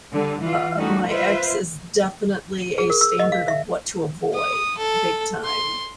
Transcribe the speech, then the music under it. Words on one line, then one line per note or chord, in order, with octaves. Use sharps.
uh, my ex is definitely a standard of what to avoid, big time.
D3 G3
E3 F4
G3 A3 C#4 D#4 F#4
F4 B4 C5 E5
G#4
A#4
E6
D#5
F5
E5
D#6
A4
C6